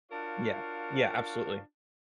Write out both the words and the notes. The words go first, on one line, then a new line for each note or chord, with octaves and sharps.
Yeah, yeah, absolutely.
D4 F4 F#4 A#4 C#5 F5